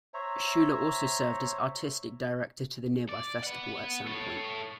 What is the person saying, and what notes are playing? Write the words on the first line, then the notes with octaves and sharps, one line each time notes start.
Schuller also served as Artistic Director to the nearby Festival at Sandpoint.
C5 C#5 E5 A#5
D5
B3 F#5
A4 C#5